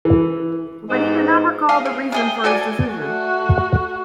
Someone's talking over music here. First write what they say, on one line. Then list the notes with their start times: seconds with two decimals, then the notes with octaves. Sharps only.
But he could not recall the reason for his decision.
0.05 E3
0.89 G#2 G#3 B3 G4 C5
1.69 G#4 F5
1.85 C#3
2.12 C3 G#4 G5
2.44 F#4 A4 D5 G#5
2.91 A3 F#4